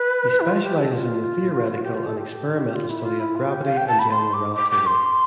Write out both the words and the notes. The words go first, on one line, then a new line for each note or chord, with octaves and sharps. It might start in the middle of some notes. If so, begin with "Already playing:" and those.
He specializes in the theoretical and experimental study of gravity and general relativity.
Already playing: B4
E4
F4
G4
A4
F4
G4
F4
A4
G4
F4
E4
F4
E4
F4
G4
F5
G5
A5
B5
C6
D6
D6
D6
C6